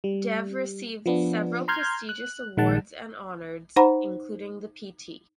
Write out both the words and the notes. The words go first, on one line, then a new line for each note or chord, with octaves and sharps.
Dev received several prestigious awards and honors including the Pt.
G3
F3 B3 D4
A#5 C6 F6 G6 G#6
F#6
A#1 D#3 G#3 F#5 A5
D#4 C5 F#5 A#5 B5